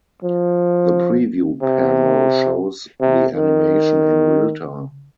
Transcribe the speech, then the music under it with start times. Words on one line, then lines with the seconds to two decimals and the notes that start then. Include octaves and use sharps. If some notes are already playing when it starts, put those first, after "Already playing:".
The preview panel shows the animation in real time.
0.24 F3
1.62 C3
3.01 C3
3.36 D#3